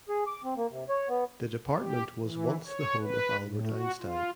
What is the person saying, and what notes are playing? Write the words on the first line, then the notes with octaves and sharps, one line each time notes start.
The department was once the home of Albert Einstein.
G#4
D6
C4
A#3
C3
C#5
B3
G4
E3
C#5
B4
A2
F#4
F4